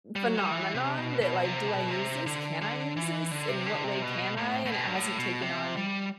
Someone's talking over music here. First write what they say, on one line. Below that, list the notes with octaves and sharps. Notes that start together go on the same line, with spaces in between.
phenomenon that, like, "Do I use this? Can I use this? In what way can I?" and it hasn't taken on,
G3
F#3
G3
E3
C3
B2
B2
C3
B2
C3
D3
D3
E3
D3
C3
D3
C3
B2
A2
A2
B2
G2
A2
B2
C3
G3